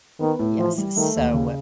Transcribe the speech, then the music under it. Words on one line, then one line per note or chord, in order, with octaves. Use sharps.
Yes, so,
D#3 B3
A2
E3 F3
G3
D#3 A3
D#2
C#3